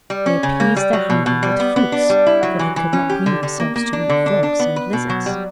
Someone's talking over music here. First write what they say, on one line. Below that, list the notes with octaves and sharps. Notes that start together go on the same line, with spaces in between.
They appeased their hunger with fruits, for they could not bring themselves to eat frogs and lizards.
G3
C#4
C#3
A#3
G3
F#3
B2
B2
G3
B3
B3
D4
G3
E4
F#3
E3
E3
C#4
G4
D3
D3
A#3
A#3
D4
D3
D4
D4
B3
B4
B2
F#3
G3